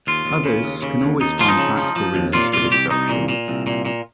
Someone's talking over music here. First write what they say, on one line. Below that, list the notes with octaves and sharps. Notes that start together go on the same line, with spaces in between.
Others can always find practical reasons for destruction.
D#2 F4
D#2
C#3
D#2
C#3
D#2
D#2 D#4
F3 F4
D#4
C#3
F3
F3
D#2
A#2 F4
C2 F4
C2 G4
C2 D#4
A#2
A#2
C2
A#2
A#2